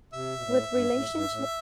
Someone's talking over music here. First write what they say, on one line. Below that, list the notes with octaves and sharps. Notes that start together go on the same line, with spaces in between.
With relationship
C3 E5
B2
A2
G2
A2
G2
A2